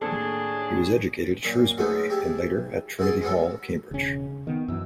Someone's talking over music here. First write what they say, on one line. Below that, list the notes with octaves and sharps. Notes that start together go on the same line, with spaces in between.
He was educated at Shrewsbury and later at Trinity Hall, Cambridge.
D#2 A2 C4 D4 G#4 A4
F#2 A#2
F#3 G#3 A3 B3 C#4 D#4
G4 G#4 E5 A5
E4 F#4 G#4 A5 C6
G#3 B3 C#4 F#4 A4
E1 C#3 C#4
D#3 B3
F#2 E3 E6